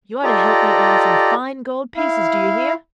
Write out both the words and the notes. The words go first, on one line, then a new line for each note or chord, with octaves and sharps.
You are to help me earn some fine gold pieces, do you hear?
F4 G4 A4 D5 D#5 A#5
E4 F5